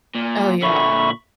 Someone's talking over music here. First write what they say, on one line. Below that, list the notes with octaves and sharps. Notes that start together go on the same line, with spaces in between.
Oh, yeah.
A#2
A#2 D3 E5 B5 C#6